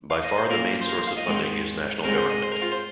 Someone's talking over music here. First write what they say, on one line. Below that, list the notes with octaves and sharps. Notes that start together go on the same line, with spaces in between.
By far the main source of funding is national government.
F5
D#5
C5
A#2 A#3 A#4
C5
A#4
C5
F5
D#5
G#2 D#3 G#3 C4
G#2 G#3 C4 A#4
C5
D#5
C5
A#4
F4
C5